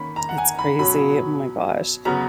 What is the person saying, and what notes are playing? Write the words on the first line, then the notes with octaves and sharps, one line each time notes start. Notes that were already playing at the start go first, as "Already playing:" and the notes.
It's crazy. Oh my gosh.
Already playing: D#3 A#3 C#4 B5
A#5
F#5
G#5
B5
B2 F#3 C#4 B5
C#3 F#3 B3 A#5